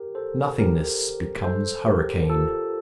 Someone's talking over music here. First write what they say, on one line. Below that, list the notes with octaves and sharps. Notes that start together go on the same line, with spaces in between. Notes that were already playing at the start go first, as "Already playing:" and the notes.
Nothingness becomes hurricane.
Already playing: G4 A#4
A4 C5
G4 A#4
A4 C5
G4 A#4
F4 A4